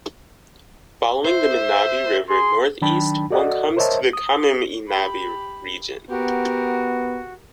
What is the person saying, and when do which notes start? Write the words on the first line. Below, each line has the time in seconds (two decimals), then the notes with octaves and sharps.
Following the Minabe River northeast one comes to the Kamiminabe region.
1.25 C5 E5
2.30 G#4 C6
2.82 D#3 F#3 D4 G5 A5 B5
3.31 F#4 A4 D5 D#5 F#5
3.77 A#4 C5 C#5 D#5 E5 A5
4.13 D#6
4.88 G4 B5
6.10 B3 F#4 G4 A#4